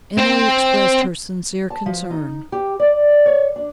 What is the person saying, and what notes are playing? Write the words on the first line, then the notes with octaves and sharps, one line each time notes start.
Emily expressed her sincere concern.
C4 C5
A5
F3
D#4
G4
D5
C#5
D4